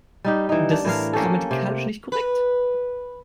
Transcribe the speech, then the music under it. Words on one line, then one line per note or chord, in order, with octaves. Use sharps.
Das ist grammatikalisch nicht korrekt.
G3 D#4 G4
E3 D#4
D4
A2 E3 A#4 F5
A#3 C#4 G4 A4
C3
B4